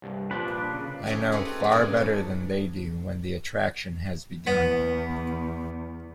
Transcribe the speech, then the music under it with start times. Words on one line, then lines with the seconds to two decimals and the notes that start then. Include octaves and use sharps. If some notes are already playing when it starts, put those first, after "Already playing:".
I know, far better than they do, when the attraction has begun.
0.02 C2 G2
0.31 A#2 F3 D4 B4
0.71 C#3
1.06 A3 C#4 G4 G#4 E5
1.32 C4 D#4 A#4 B4 C#5
1.45 F4
1.60 G#2 A#3
1.71 B3 C#4 D4 E4 G#4 A#4
1.97 A4
4.47 E2 B3